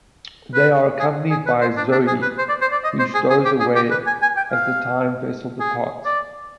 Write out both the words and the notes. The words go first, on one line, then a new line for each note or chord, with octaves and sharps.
They are accompanied by Zoe, who stows away as the time vessel departs.
B4
G#4
G#4
B4
C5
D4
D4
G#4
B4
C5
D5
C5
D5
D#5
C5
G#4
G#4
G4
G#4
G4
B4
G#5
G#5
G5
F5
G#4
D5